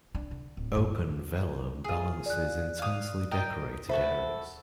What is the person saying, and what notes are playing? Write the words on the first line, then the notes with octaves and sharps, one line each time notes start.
Open vellum balances intensely decorated areas.
D4
D3
D1
G2
F4 G#4
D5 F#6
F5 D#6
A#4 D#5 G5
F#4 A4 C5 E5 B5